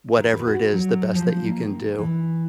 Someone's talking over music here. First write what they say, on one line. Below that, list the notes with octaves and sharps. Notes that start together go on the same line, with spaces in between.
whatever it is, the best that you can do.
D#3
B4
F#4
F#3
F3
A#3
D#3
E3